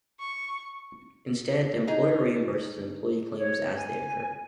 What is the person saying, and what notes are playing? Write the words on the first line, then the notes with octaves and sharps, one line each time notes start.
Instead, the employer reimburses employee claims as they occur.
C#6
D#4 G#4
C#5
G#5